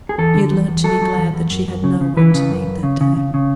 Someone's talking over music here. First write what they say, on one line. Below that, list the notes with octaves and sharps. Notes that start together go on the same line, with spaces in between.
She had learnt to be glad that she had no one to meet that day.
G#4
E2 A4
D3
E2
E2
F#3 A4
F#3
E2
E2
F#2
F#2
C#3
C#3
E3 B4
C#3
F#2
F#2
C#3
C#3
C#3
C#3